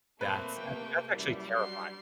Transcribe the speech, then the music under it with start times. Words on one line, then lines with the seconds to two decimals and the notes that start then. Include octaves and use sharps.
That's I mean, that's actually terrifying.
0.21 A#2 F#3 A3 A#3 C4 B4
0.59 C3 G5
1.14 F#3 G3 C#4 E4
1.50 D4 F#4 C6 C7